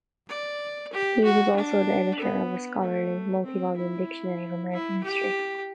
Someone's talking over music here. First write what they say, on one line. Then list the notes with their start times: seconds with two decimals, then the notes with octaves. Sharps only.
He was also the editor of a scholarly multi-volume Dictionary of American History.
0.29 D5
0.92 G4
1.24 F#4
1.56 D4
2.19 B3
2.82 A3
3.45 C4
3.77 E4
4.71 E4
5.03 G4